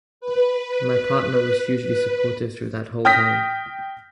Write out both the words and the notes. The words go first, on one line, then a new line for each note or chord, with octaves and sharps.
And my partner was hugely supportive through that whole time.
B4
B4
G5 D#6 F6 G6 A#6 B6